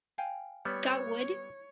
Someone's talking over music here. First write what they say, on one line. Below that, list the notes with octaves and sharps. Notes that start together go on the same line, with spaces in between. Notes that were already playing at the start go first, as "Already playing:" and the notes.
Got wood?
F5 G5 G#5
G3 B3 C#5